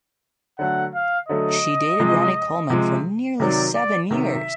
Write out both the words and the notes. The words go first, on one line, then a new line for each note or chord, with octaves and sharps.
She dated Ronnie Coleman for nearly seven years.
D3 F#3 A3 F#5
F5
D3 F#3 A3 D#5
C3 F3 G#3
C3 F3 G#3
C3 D#3 F#3 D5
D5
C3 D#3 F#3 E5